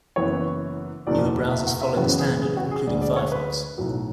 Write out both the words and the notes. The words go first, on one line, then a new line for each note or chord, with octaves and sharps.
Newer browsers follow the standard, including Firefox.
F#1 F#2 E3 B3 C#5
F#1 E2 B2 D5
E5
F#5
E5
F#2 C#3 E3 B3 F#4
G#4
G#4
F#4
G#4
D2 D3 G#3 D5
D5
C#5
B4
B1 A2 F#3